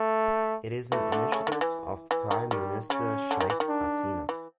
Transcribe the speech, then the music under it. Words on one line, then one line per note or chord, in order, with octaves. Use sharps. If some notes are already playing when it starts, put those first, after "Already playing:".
It is an initiative of Prime Minister Sheikh Hasina.
Already playing: A3
E3 A3
D3
C#3
D#3
D3
E3
E3
D#3
D#3 G3
C#3 C#4
D3
D#3
E3
D#3
D4
E3